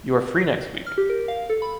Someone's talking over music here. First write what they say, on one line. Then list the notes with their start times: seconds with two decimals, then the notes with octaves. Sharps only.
You are free next week.
0.86 F6
0.98 G4
1.10 A#4
1.28 F5
1.49 A4
1.62 B5